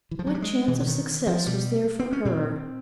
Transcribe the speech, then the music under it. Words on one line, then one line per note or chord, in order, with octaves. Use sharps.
What chance of success was there for her?
E3
F3
F#3
G3
G#3
B2 E3
D3
D#3
F3
B2 G3
C4
C#4
A#2 C4